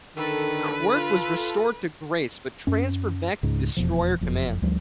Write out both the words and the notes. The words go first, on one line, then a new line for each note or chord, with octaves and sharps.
Quirk was restored to grace, but transferred back to destroyer commands.
D3 D#3 A4 B4
F4
F#2 C#4
C#2 G#2
F1 E2 B2 F3
F#1 F2
D2 F3 G3